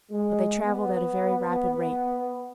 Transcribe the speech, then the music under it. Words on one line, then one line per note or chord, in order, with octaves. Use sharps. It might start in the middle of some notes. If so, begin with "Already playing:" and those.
But they travelled at a very rapid rate.
G#3
B3